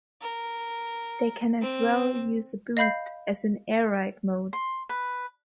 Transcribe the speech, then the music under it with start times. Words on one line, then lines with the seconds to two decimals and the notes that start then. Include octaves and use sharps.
They can as well use a boost, as in Air Ride mode.
0.21 A#4
1.61 C4
2.77 D#5 F5 B5 G6 C7
4.53 C6
4.89 B4